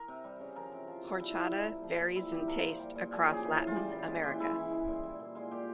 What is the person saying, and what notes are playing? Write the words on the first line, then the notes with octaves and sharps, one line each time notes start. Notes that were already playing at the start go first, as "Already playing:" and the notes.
Horchata varies in taste across Latin America.
Already playing: A#4
C3
G3
C#3
F3 A#4
C3
F3
C3
G3 E4
C3
G3
A#2
F3
A#2
G3 E4
C3 G4
F3 A#4
A#2
G3
A#2
F3 G#4
G4
C#3 G#4
E3
C#3
F4
G3 G4
A#2
G#3
E3 G4
G#3 E4
E3
G#3
A#2
G3
A#2
G#3 F4
A#2 G4